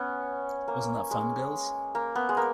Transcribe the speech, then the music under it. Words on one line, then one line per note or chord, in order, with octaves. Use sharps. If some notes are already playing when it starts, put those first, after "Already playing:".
Wasn't that fun, girls?
Already playing: B3 C#4
A#3
G#3
A#3
B3
G#3
A#3